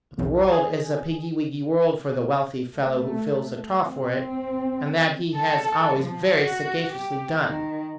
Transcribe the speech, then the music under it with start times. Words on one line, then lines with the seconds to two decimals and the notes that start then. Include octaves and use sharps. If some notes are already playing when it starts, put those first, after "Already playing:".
But the world is a piggy-wiggy world for the wealthy fellow who fills a trough for it, and that he has always very sagaciously done.
0.18 B1 E2
0.52 G#4
2.72 A3
3.84 C4
5.34 A4
5.99 F3
6.37 F#4
6.92 G4
7.46 D#3